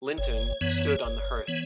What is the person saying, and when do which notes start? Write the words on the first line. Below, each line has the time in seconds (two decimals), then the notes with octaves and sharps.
Linton stood on the hearth.
0.18 G1 C#5
0.61 F#2 E3 B3
1.05 G1
1.48 E3 B3